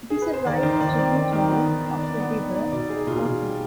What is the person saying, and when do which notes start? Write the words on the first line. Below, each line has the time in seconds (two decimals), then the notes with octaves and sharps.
It is a right tributary of the river Ourthe.
0.10 G#4
0.22 B4
0.34 C5
0.45 D#3 D5
0.63 D#3 C5
0.81 D#3 D5
0.98 C4 D5
1.16 D#3
1.33 D#3
1.51 B3
1.68 D#3
1.85 D4
2.02 D4 D5
2.20 B3
2.37 D#3
2.55 D#4 D5
2.72 B2 D5
2.90 D#4 G#4
3.07 B2 F4
3.25 B2
3.42 G3